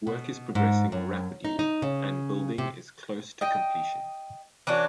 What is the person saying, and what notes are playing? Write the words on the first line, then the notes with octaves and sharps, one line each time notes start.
Work is progressing rapidly and building is close to completion.
B2
G#2
F#2
D#4
D#4
C#3
C3
D#5 G5
E3 C#4 D4 F#4